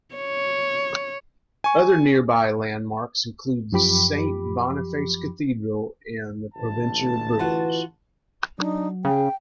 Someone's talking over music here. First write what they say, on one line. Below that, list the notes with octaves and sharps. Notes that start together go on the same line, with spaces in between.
Other nearby landmarks include the Saint Boniface Cathedral and the Provencher Bridge.
C#5
G#5 C#6
F#2 F3 G4 B5 D6
A1 D2 A5
E3 F4 F#4 B4 F#5
F#3 D4 D#4
C#3 G#4 G5